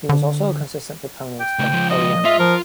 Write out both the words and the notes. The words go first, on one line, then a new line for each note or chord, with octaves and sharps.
He was also a consistent proponent of polyamory.
D3
G5
C#3 A3
C#2 F3
D#5
F4 E5
F3 A#4